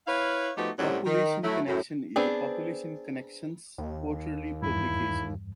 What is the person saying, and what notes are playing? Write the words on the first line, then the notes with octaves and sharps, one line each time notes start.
"Population Connection" is Population Connection's quarterly publication.
E4 B4 C#5 F5
F3 A3 B3 D#4 F#4 G4
F#2 A2 C3 F#3 G3
D#3
F#3 A3 E4
F#2 A2
B3 C4 D4 G#4
D#2
E2 G2 E4